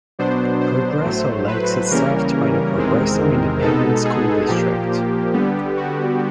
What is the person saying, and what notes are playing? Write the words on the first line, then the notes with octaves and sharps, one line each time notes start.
Progreso Lakes is served by the Progreso Independent School District.
B2 F#3 B3 D4 C5
C5
A2 F#3 A3
B4
C#3 E3 G3 A#3 C#4 A#4
E2 C3 D#3 G#3 C4
B2 G#3 B3 D#4 A4
G#4
A#2 F3 A#3 G4
D3 G3 B3
F#4